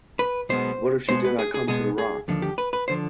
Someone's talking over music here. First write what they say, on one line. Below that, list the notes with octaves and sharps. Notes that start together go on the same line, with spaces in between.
What if she did not come to the rock.
B4
B1 B2 G#3 B3 C5
B2 G#3 B3 C5
B4
G#4
G#4
B2 G#3 B3 G#4
G#4
D#2 D3 F3
G4
B4
B4
D3 F3 C5